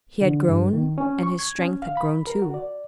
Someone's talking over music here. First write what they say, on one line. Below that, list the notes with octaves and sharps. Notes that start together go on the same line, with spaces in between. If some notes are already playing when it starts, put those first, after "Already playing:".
He had grown and his strength had grown too.
D3
G2
D#3
C#4
C#6
G#6
C#4
F5
B5
A#4
F#4
D5